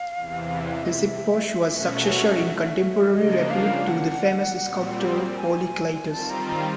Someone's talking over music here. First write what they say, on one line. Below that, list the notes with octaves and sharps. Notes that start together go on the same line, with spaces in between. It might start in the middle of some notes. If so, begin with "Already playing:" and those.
Lysippos was successor in contemporary repute to the famous sculptor Polykleitos.
Already playing: F5
E2 C3 E3
D#5
E5
B2 F#3 A3 C#4 F#4
C#3 F3 A#3 D4 D#5
F5
F#5
A#2 G3 C4
G#5
D#3 G3 C4 F4 A5
A#5
A#5